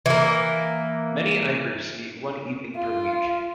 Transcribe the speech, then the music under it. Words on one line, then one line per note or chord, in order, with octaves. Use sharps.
Many I-Groups meet one evening per week.
E3 A#3
F4